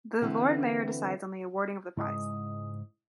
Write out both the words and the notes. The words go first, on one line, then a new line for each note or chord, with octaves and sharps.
The Lord Mayor decides on the awarding of the prize.
D3 E3 C4 B4
G#2 C#3 G#3 E4 D#5 D#6